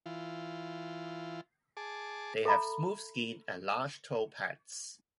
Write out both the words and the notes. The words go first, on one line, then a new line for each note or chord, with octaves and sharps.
They have smooth skin and large toe pads.
E3 F4
G#4 A5 D6
A4 E5 A#5 B5